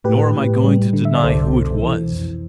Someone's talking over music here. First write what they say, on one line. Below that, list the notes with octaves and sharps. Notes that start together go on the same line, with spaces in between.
Nor am I going to deny who it was.
A2 G4 B4
A2
G3
D3
E5
D5
C2 A4 C5
B2
E3
F2